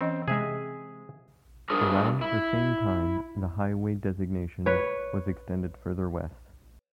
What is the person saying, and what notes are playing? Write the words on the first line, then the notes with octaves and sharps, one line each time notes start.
Around the same time, the highway designation was extended further west.
E3 C4 C#4 D#5
C3 G#3 G#4 E5 G#5
G2 D4 G#4 A#4 C5
E4
B4 C#5